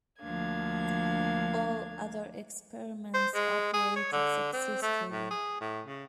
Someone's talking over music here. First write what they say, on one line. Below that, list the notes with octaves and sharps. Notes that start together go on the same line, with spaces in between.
All other experiments operated successfully.
D2 F3 A#3 D4 F5 G#6
C5
G#3
G#4
C#5
D3
C4
A3
A2
G#4
A2
C#3